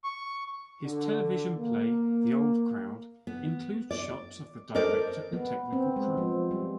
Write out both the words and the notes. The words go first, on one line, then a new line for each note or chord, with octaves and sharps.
His television play "The Old Crowd" includes shots of the director and technical crew.
C#6
D3
A#3
B3
D5
A4 A#4 C5 D5 D#5
B3
C4
G#3
F3
G3